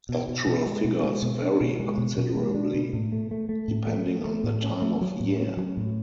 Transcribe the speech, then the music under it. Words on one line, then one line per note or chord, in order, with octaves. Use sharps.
Actual figures vary considerably depending on the time of year.
B2
B2
B2
G#3
B2
G#3
B2
D4
B2
G#3
B2
B2
G#3
D4
B2
A2
A3
A3
A3
A2
A3
A3
A3
A2
C#4
A3
F#3
A2
C#4
F#3
A2